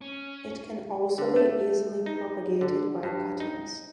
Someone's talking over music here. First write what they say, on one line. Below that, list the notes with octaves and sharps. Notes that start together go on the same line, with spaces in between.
It can also be easily propagated by cuttings.
C#4
D3
A3
D#4
D3
G2
D#4